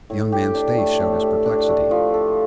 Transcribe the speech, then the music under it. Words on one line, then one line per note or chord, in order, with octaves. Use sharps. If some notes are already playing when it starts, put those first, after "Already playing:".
The young man's face showed his perplexity.
A2
G4
D4
A3
A2
G4
D4
A3
F3
A4